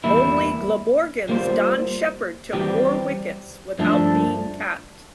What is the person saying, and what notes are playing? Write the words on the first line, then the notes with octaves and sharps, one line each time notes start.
Only Glamorgan's Don Shepherd took more wickets without being capped.
E2 E3 G3 A#3 E4
G3 A#3 F4 C5
E3 G3 C4 G4
G2 F3 A3 D4 A4